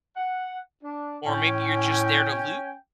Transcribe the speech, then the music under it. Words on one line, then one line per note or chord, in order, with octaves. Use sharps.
or maybe you're just there to loot,
F#5
D4
A2 C#4 G5 G#5